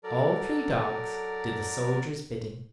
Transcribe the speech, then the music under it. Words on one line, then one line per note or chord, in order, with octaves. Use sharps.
All three dogs did the soldier's bidding.
F#3 A4 A#4 D5